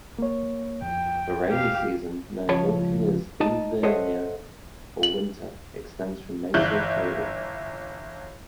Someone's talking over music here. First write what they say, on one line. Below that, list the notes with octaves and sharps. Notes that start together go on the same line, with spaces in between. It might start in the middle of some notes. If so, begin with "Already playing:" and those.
The rainy season, known locally as "invierno", or winter, extends from May to October.
A#3 C#5
F2 G5
G4 F5
C#2 F3 C#5 A5 B5
D#4 D#5 A5
A4 C5 C#5 D#5 E5 F#5
F#7
G1 E3 E4 F#6 G6